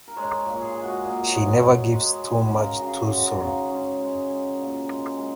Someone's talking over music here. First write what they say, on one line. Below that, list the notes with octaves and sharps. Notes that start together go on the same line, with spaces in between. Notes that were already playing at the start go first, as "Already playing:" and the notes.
She never gives too much too soon.
A#4
G#3 C#5
C#5
A#2
G#4
G#3
F#4
A#2
C#5
G#3 D#5
G#3
G#3 C#5
G#3
C#3 A#4
F#4
C#3 G#4
G#3 F#4
C#3 D#4
G#3 C#4
G#3
G#3
A#2
G#3
G#3